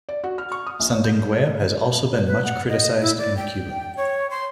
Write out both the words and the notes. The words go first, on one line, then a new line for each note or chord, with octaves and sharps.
Sandungueo has also been much criticized in Cuba.
D5
F#4
F6
C#6
D#6
A#1
C#5
G6
B4
F#5
D#5
E4
D5
G5
C#5
C6